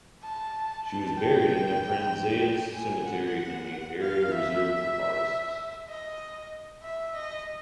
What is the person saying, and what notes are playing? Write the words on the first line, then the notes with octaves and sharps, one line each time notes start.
She was buried in the Prazeres Cemetery in the area reserved for artists.
A5
A5
G5
G#5
F#5
F5
E5
D#5
E5
D#5